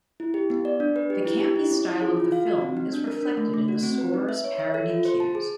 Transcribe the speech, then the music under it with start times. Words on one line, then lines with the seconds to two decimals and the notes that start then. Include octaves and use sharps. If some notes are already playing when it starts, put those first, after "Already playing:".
The campy style of the film is reflected in the score's parody cues.
0.20 E4
0.34 G4
0.50 B3
0.65 D5
0.80 D4
0.96 B4
1.10 G4
1.26 E4
1.41 G4
1.56 E4
1.71 C#4
1.87 E4
2.02 G#4
2.17 F4
2.32 F5
2.47 F#4
2.62 C4
2.77 D#4
2.93 D4
3.07 A#4
3.23 D4
3.37 A3
3.54 A3
3.68 F#4
3.83 C4
3.98 B4
4.14 D#4
4.29 E5
4.44 C#5
4.59 E5
4.74 A4
4.90 F4
5.05 C5
5.20 A5
5.35 G#4